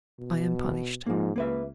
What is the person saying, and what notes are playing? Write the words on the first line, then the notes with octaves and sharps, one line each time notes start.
I am punished.
B2
G#2 F3 A#3
C#2 A#3 B4 E5